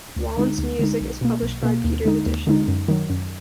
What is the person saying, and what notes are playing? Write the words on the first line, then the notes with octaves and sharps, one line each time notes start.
Wallen's music is published by Peters Edition.
D2
D3 G#3 D#4
D2
D3 G#3 D#4
B1
B2 A#3
B1
B2 A#3
D#2
D3 G#3 D#4
D#2
D3 G#3 D#4
F#2
D#3 F#3
F#2